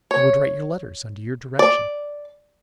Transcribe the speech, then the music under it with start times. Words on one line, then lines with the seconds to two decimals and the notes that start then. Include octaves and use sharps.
I would write your letters, under your direction.
0.11 C#5
1.59 D5